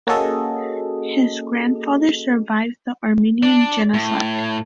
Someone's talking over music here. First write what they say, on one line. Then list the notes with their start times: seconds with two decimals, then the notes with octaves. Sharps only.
His grandfather survived the Armenian genocide.
0.07 A#3 C#4 F#4 G#4 A4 D#5
3.43 D4
3.94 A2